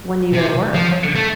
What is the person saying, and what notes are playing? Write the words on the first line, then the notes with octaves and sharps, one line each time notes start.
when you go to work,
C3
F3
A3